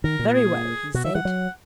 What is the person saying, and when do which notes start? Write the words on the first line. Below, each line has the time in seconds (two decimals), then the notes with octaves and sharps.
'Very well,' he said.
0.04 D#3 A#4
0.19 A#2
0.28 A#4
0.34 G#4
0.94 B2 F#4
1.04 D#3 E5
1.15 E3 F#5
1.25 F#3